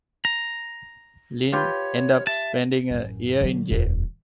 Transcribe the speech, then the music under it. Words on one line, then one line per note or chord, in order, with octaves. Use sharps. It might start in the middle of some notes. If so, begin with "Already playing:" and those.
Lind ended up spending a year in jail.
A#5
F4 G4 B4 C#5
E5 A5
A1 F#2
D3 F#3
D#1 F2